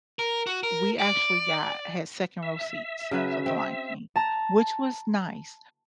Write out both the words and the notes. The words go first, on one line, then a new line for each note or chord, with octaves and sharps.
we actually got had second row seats for the Lion King which was nice
A#4
F#4
A#4
D5
E5
C#3 F#3 B4
C4
A5 A#5 A6